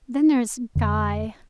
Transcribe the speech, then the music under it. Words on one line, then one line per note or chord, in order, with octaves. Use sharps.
Then there's Guy.
F2 D3